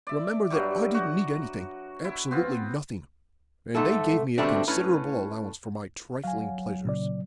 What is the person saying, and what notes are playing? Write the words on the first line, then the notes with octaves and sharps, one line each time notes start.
Remember that I didn't need anything, absolutely nothing, and they gave me a considerable allowance for my trifling pleasures.
D5 E5
G2 F#3 G3
F#4
E4
B3 C4 F4
G#2 A3 A4
B2 D3 G3 A3 C4 D4
A2 C#4 B4
F#3 F5 G#5
A#2 C#3 D5